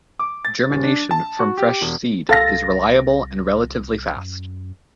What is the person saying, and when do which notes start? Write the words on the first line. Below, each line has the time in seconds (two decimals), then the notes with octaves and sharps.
Germination from fresh seed is reliable and relatively fast.
0.19 D6
0.45 A6
0.70 D#1
0.84 D4
1.11 A5
1.39 F#4
1.57 G4
1.81 E1
2.29 C2 A4 F5 A6 A#6
4.16 F#2